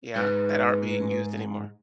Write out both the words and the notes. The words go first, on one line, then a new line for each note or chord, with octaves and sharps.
Yeah, that aren't being used anymore.
G#2 B4